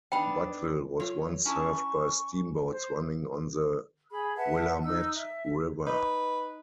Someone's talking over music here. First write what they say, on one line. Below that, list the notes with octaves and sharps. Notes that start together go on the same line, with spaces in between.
Butteville was once served by steamboats running on the Willamette River.
B3 D4 D#4 G5 B5
F#3 F4 A4 C#5
C#4 E4 A5 C#6
C5
G#4 B5
B4 E5 F#5 A5
D#4 E6
E5
D#4 B4